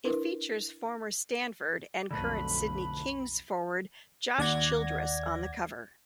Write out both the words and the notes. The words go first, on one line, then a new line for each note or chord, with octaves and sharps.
It features former Stanford and current Sydney Kings forward Josh Childress on the cover.
D4 E4 A#4 B4
B1 F2 D3 A3 B4 B5
D#2 D5 F#5 G#6 A#6